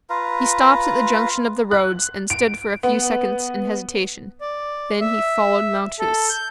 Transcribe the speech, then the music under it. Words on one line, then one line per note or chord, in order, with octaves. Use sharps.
He stopped at the junction of the roads and stood for a few seconds in hesitation, then he followed Malchus.
F4 B4 F5 A#5
F#6
D7
B3
D5
E5
A4
G6